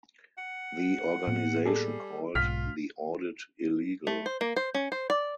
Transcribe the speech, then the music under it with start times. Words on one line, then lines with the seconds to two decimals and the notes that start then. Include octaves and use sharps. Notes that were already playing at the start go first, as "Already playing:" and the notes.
The organisation called the audit illegal.
0.38 F#5
1.27 A2 A#3 B3
1.65 G3 G#4 A4
2.35 B1 G#2 F4 F6 B6
4.07 A3
4.26 C5
4.41 A#3
4.56 C5
4.75 C#4
4.92 C5
5.10 D5